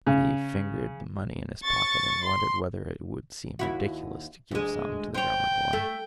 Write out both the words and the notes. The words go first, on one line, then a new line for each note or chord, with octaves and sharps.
But he fingered the money in his pocket and wondered whether it would seem ridiculous to give some to the drummer boy.
C#3
C#6 A6
C6
D#2 E4 F#4
D2 G#3
C5 C#5 G5
A3